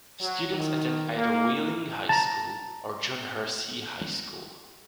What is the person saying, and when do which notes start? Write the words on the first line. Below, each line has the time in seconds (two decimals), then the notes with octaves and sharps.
Students attend either Wheeling High School or John Hersey High School.
0.20 F#3
0.50 D#3
1.17 A#3
2.09 A5 A#5